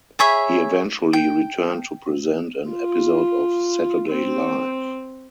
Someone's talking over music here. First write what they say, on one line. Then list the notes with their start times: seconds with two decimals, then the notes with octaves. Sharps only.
He eventually returned to present an episode of "Saturday Live".
0.19 G#4 C#5 E5 B5
1.13 G5
2.70 F4
4.09 C4